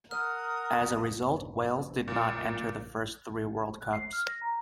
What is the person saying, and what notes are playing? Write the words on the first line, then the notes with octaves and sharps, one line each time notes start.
As a result, Wales did not enter the first three World Cups.
A#4 F#5 D#6 F6
A#2
F#6
C7
F6
A#6
A#5